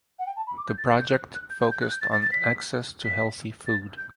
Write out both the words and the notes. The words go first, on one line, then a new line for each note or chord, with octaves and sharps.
The project focused on access to healthy food.
F#5
G5
A5
B5
D6
G6
A6
A6
G6
F#6
F#6
G6
G6
G6
F#6
G6
A6
A6
A6
B6
B6
A6
G6